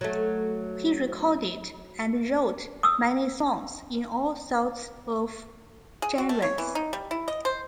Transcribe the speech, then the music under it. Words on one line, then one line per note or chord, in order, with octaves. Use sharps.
He recorded and wrote many songs in all sorts of genres.
F#3 A3
D#6 E6
G#4
F#4
A3
C#5
E3
D#4
G3
E4
D#5
C5